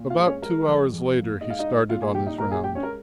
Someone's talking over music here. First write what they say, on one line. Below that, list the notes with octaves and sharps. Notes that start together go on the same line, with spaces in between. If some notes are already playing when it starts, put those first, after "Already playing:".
About two hours later he started on his round.
Already playing: A#2
F4 F5
G#3
C#4 C#5
G#3 A#4
F2
F2
A#3
G#2 D#5
F5
D#4 D#5
G#2
A#2 F4 F5
G#4 G#5
C2 G4 G5
D#4 D#5
A#2 A#4 A#5
G#4 G#5
G#3 G4 G5
C#4 C#5
A#4